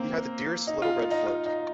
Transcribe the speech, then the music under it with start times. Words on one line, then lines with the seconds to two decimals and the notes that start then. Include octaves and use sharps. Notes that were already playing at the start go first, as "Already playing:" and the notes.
He had the dearest little red float.
Already playing: A#3 C4
0.67 D#4
0.82 F4
0.97 D#4
1.11 D#4
1.27 F4
1.46 D#4